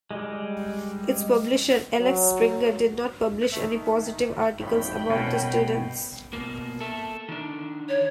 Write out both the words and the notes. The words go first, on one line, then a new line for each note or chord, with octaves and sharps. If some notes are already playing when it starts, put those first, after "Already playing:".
Its publisher, Axel Springer, did not publish any positive articles about the students.
G3 G#3
F#3
D#3 A3 E5
G#1 F2 A2 G5 B5
C2 B2 C#4
B2 A#3
A4 E5
D#3 D4
C#5